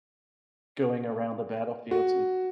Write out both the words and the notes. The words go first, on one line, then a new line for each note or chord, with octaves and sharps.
going around the battlefields, and
F#4